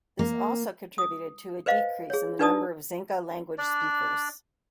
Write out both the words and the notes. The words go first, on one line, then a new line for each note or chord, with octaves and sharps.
This also contributed to a decrease in the number of Xinca-language speakers.
A#3
D#6
B4 C5 D#5 F5
G#4 C#5
D4 D#4 B4 D5 A5 D#6
D4 D5